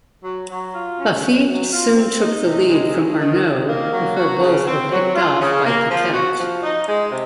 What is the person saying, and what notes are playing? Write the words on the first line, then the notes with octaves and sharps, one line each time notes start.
Laffite soon took the lead from Arnoux before both were picked-off by Piquet.
F#3
F#3
F4
C#4
F#3
F#3
F4
C4
D#4
C3
G#3
D#3
D#3
D#3
A#3
F#3
F#4
C#3
C4
F#3
F4
C#3
A#3
F3
F#4
F3
D#4
G#3
C3